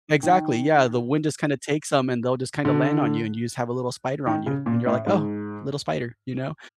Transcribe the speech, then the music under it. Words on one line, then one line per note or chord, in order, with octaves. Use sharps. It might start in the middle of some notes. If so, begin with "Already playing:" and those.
exactly, yeah, the wind just kind of takes 'em, and they'll just kind of land on you, and you just have a little spider on you, and you're like, "Oh, little spider," you know?
D#3
D3
D#3
C#3
A#2
A2
G#2